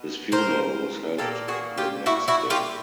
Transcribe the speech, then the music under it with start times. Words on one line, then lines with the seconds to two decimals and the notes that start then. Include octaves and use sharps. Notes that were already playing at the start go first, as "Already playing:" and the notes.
His funeral was held the next day.
Already playing: B2 B3
0.32 A#4 C5
1.18 A#2 G3 A#3 G4 A4
1.48 F#4 G#4
1.78 F4 G4
2.06 E4 F#4
2.28 E4 F#4
2.50 F4 G4